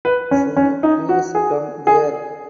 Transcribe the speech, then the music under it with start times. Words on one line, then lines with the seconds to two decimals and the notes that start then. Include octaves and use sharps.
She flees from there.
0.05 B4
0.31 C#4
0.56 C#4
0.83 D#4
1.09 F#4
1.35 G#4
1.87 G#4